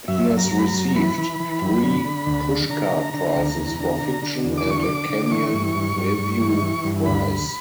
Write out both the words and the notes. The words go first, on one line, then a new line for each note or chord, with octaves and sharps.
He has received three Pushcart Prizes for fiction and a Kenyon Review Prize.
F#2 E5
F#2
A#5
F#2
B5
A#5
F#2
A#5
E3 B5
E3
E3
F#2
D3
D3
D2
D3
D3 A#5
D3
D3
D2
E2
D3
D3
D3
E2
D6
D3 C#6
D6
D3
D3
D6
E3 C#6
G2
G2
G2
G2
E3
E3
G2
D2 B5
D2